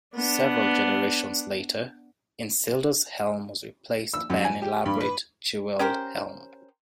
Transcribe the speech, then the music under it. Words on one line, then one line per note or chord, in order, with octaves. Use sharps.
Several generations later, Isildur's helm was replaced by an elaborate jewelled helm.
B3 D4
E6
F#2
G#5
G4
G2
B4
C#4 G4 A#4 C5